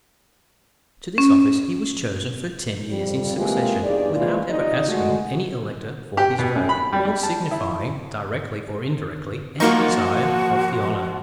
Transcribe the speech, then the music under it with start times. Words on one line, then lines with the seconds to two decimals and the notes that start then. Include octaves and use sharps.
To this office he was chosen for ten years in succession, without ever asking any elector for his vote, or signifying, directly or indirectly, any desire of the honor.
1.18 C#4
2.90 F2 G3
3.37 E3 G#3 A#3 C4 F4 G4
3.84 E2 G2 D#4 G#4 D5
4.16 G#2 E3 F3 A#3 F4
4.50 C3 D#4 D5 D#5
4.88 G#3 A3 F#4
6.17 G4
6.39 B2
6.56 F#2
6.69 B5
6.93 G3
7.05 G3
7.23 A5
7.51 E4
9.60 F3 A#3 D#4 F4 F#4 C#6